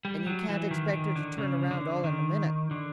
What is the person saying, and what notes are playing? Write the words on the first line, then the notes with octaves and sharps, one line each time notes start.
And you can't expect her to turn round all in a minute.
G3
F#3
E3
D#3
D#3
D3
C#3
D3
D#3
D3